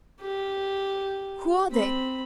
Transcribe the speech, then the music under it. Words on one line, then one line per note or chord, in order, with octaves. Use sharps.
"Who are they?"
G4
C4 B5